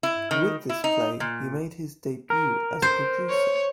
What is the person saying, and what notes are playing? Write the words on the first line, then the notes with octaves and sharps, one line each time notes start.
With this play, he made his debut as a producer.
E4
D#3
E4
D#4
A#2
A#4
C5
C#5